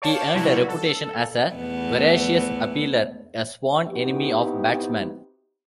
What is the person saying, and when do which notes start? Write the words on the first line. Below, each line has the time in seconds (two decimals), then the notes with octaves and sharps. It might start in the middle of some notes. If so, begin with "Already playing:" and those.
He earned a reputation as a voracious appealer, a sworn enemy of batsmen.
0.02 C#5 D5 F5 G5 A5
0.35 C3 F#3 G3 E4 F#4
0.68 A4
1.55 E2 A3 B3
3.90 B3 C4 D#4 E4 F#4 G4